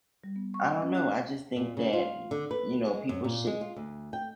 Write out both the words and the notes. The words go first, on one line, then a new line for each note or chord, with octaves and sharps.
I don't know, I just think that, y you know, people should
G3
B3
C#6
D#5
C#4
F#6
A#2
C#3
F4
D3
B4
G#3
F#2
A#2
G#3
F4
D2
G5